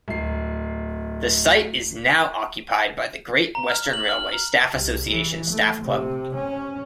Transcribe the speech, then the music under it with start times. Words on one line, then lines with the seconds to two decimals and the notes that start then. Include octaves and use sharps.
The site is now occupied by the Great Western Railway Staff Association staff club.
0.08 D1 C7
3.55 A#5
3.70 F6
3.93 F#7
4.09 F6
4.74 C2
5.08 E3
5.50 A3
5.82 C3
6.35 C#4